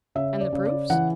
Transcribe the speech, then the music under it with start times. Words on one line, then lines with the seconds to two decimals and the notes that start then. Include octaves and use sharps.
"And the proofs?"
0.15 C#3 E5
0.41 D5
0.53 C#3
0.66 D5
0.90 E3 F#5